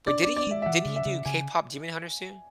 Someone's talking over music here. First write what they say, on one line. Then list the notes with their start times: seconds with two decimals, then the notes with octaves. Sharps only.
But didn't he didn't he do KPop Demon Hunters too?
0.07 D4 D5
0.22 D4 D5
0.36 D5
0.47 G#3 E5
0.62 E5
0.66 E3 F#5
0.86 C#3
0.96 E5
1.06 C#3
1.25 C#3 G#5